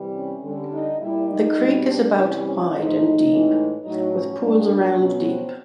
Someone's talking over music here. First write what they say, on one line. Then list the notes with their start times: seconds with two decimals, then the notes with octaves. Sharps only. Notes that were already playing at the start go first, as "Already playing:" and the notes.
The creek is about wide and deep with pools around deep.
Already playing: C3 E3 G3
0.16 C#4
0.43 D3 G3
0.72 D#4
1.00 A#2 G3 E4
1.28 D#4
1.57 B2 G3
1.86 D4
2.14 C3 E3 G3 C#4
2.42 C#4
2.70 A2 F3 G#3 D#4
3.27 A2 E3 G#3
3.84 A2 F#3 D#4
4.13 C#4
4.41 A#2 G3 D4
4.70 D4
4.97 B2 F#3 C#4
5.26 C4